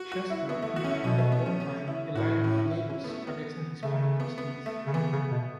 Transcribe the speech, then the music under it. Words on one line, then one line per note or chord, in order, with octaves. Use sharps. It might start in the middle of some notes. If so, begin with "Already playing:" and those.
Shasta introduced at one time a line of flavors targeting Hispanic customers.
Already playing: F#4
F#4
E4
B3
A3
F#4
C#4
E4
B2 C#4
A3
B3
C#4
C#4
E4
A2 F#4
E4
C#4
E4
E4
C#4
B3
A3
B3
C#3 A3
B3
B3
A3
C#3
E3 B3
C#3
B2